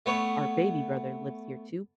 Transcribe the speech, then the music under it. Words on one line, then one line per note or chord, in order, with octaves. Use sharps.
our baby brother lives here too.
A3 B3 C#5